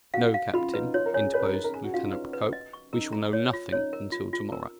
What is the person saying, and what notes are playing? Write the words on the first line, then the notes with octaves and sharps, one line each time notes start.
"No, captain," interposed Lieutenant Procope; "we shall know nothing until to-morrow."
F#4 F5
F5
F4 B5
D#4 B4
F4 C#5
A#4
G#4 C#5
B4 C#5
A#4
D#4 A#4
A#4
G#4 A#5
F#4
F4 F5
D#4
C#4 B4
B4
D#5
C#6
D#4 A#4
A#5
C#5
F4
D#4 C#5
A#4
F4
F4
A#4